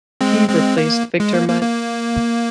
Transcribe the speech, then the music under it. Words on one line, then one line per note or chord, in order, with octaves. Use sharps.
He replaced Victor Mutt.
G#3 C4
G#3 C4
A#3
G#3
A#3
A#3
A#3